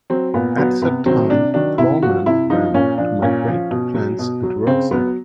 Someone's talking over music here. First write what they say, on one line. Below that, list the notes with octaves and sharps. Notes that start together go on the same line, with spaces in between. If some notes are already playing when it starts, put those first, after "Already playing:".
At that time ploughmen were to migrate to plants and work there.
F#3 C4
A#2 B3
F#3 B3
C3 B3
D#3 F#3 C4
C3 D4
D#3 F#3 D4
C3 E4
F3 F#4
C3 E4
F3 D#4
A#2 C#4
F3 D4
A#2 C#4
F3
B2
F#3
B2
F#3
C#3 C4
F#3 B3